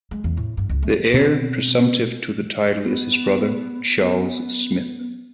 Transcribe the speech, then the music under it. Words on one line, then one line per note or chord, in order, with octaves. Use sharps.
The heir presumptive to the title is his brother, Charles Smith.
G#3
E2
A2
G2
C#2
A3
B2 C4
B3
B3